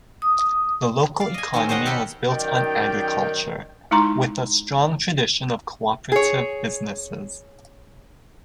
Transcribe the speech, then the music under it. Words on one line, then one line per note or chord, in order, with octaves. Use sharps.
The local economy was built on agriculture, with a strong tradition of cooperative businesses.
D#6
D5 F5
D#5 G#5
D#3 G#3 C4 C#4
C5 C#5 D#5 F#5 G5
G4 A4 A#4 G5 B5
F#2 D#3 D5 G5
G#3 D#4 E4 A#5 C6
G#4 C#5